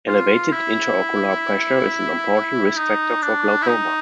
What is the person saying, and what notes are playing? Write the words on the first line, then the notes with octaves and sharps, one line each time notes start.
Elevated intraocular pressure is an important risk factor for glaucoma.
F4
E4
D#4
D4
E4
D#4